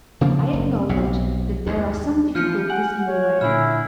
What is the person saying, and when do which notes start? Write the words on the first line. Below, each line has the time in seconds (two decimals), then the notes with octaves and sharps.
I acknowledge that there are some difficulties in the way.
0.21 C#3 F3 A#3
0.53 F#1
0.89 B1 C3
1.67 D#2 G#2
2.35 E3 F3 F4 F6 G6 C#7
2.70 F#5 G#5
3.08 C#5
3.41 A#2 D3 E4 G#5 F6